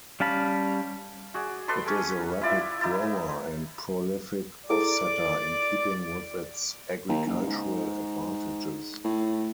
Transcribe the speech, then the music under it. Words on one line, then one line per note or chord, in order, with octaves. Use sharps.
It is a rapid grower and prolific offsetter in keeping with its agricultural advantages.
G3 C#4 F5 A5 B5
F#4 G#4 D5
A4 B4 D5 C6
C#4 G#4
E4 F4 D5 E5
D#4 E4
E4 G#4 A4 D5 D6
D#2
F#1
G#2
A2